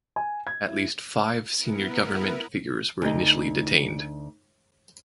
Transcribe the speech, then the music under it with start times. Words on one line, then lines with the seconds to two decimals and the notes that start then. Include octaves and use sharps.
At least five senior government figures were initially detained.
0.16 G#5
0.47 G#6
0.68 E4
1.56 B3 E4 A#4 B4
3.02 D2 D#4